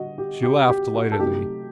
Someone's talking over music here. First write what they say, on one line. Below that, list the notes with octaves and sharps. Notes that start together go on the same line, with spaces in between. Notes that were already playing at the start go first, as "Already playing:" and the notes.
She laughed delightedly.
Already playing: D3 G3 D4 F#4 D#5
G4
G4
G4
F#4
A4
C3 F#3 A3 D#4 G4